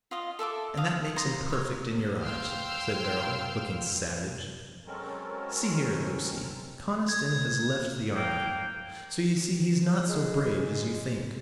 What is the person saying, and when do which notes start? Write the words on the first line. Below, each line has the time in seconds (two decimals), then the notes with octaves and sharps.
"And that makes him perfect in your eyes," said Beryl, looking savage. "See here, Lucy, Conniston has left the army--so you see he is not so brave as you think."
0.11 F4 D#5 F5
0.39 A4 E5 A5 D6
0.77 F5 D#6
1.16 D#4 A#5 C6
1.50 B4 C#5
2.23 F5 G5 C6 E6 F6 G6
4.87 F#3 G#3 C4 C#4 A4 A#4
7.09 G#6
8.16 A#3 F5 G5
10.10 G#3